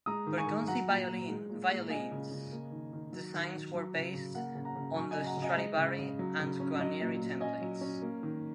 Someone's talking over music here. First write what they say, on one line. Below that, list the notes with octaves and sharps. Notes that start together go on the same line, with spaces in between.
Bergonzi violin designs were based on the Stradivari and Guarneri templates.
G#3 A#5 D#6
D#3
G#5 C#6
D#3
F#3 F#5 A#5
A#2
A#2
G#3
A#2
A#2
G#3 D#5 G#5
C#3
C#3
A#3
D#3
D#3
F#3
D#3
D#3
F#3
C#3
C#3
A#3 F#5
C#3
F#5 A#5
C#3
F#3 G#5 C#6
D#5 G#5
C#3
F#5 A#5
C#3
D#5 G#5
G#3 D#5
C#3
C#3
F#3
C#3
C#4
F#3 D#5
A#2
A#2
C#4 D#5 G#5
F#3
C#4
A#3
D#3